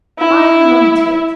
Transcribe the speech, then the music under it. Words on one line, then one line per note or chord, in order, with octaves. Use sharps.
I belong to it.
E4